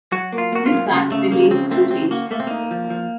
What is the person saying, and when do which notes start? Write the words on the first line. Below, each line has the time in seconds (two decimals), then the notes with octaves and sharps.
This fact remains unchanged.
0.12 F#3 F#4
0.33 A#3
0.38 F4
0.52 A#3 F#4
0.66 F4
0.72 F#3
0.91 C#3
1.12 C#3 A3
1.31 F3 A#3
1.51 C#3 C4
1.71 A3 C4
1.91 C#3 C4
2.11 A#3 F#4
2.31 A3 A#3
2.40 C4
2.47 A#3 D#4
2.71 F3
2.90 F3